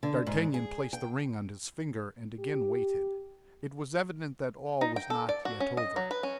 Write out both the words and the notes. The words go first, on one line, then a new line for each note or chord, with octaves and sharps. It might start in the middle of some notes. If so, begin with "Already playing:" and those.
D'Artagnan placed the ring on his finger, and again waited; it was evident that all was not yet over.
D3
G#2
G#4
G5
G4
D#4
G5
A4
D5
F#4
C#4
D#5
F#3
B4
C#4